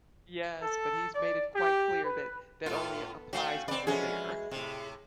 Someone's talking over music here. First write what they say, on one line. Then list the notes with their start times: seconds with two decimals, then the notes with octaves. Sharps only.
Yes, but he's made it quite clear that that only applies when we're there.
0.63 A4
1.14 D5
1.54 G4
2.03 B4
2.66 A2 B3 F4 A4
3.33 A3 C#4 F#4 F5 G5
3.68 C4 B4 D5
3.87 E3 F3 G#3 C#4 F#4 G#4
4.51 A2 C3 G#3